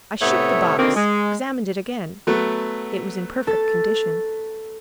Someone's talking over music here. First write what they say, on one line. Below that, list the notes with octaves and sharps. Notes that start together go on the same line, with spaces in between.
I shook the box, examined it again, it was in perfect condition.
A2 C3 A3 B3 C#5 E5
B2 D3 D#3 A#3 C4
G#3
F#3 A3 B3
A4 A6